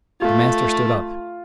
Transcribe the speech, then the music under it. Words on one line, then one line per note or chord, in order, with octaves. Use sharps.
The master stood up.
A3 F4